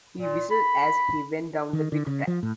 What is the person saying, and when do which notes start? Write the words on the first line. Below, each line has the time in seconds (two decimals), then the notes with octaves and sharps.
He whistled as he went down the brick track.
0.18 A#2
0.50 B5
1.73 D#3
1.92 D3
2.07 C#3
2.27 F3
2.43 A2